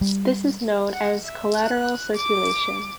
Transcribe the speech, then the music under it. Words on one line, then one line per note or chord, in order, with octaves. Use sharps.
This is known as collateral circulation.
G3
F#5
E5
F#6
D6